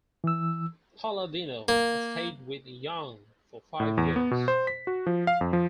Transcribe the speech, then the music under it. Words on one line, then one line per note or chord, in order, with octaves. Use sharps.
Palladino stayed with Young for five years.
E3 E6
A#3
A2
E2
B3
B2
C5
B6
F#4
F3
F5
F2
F3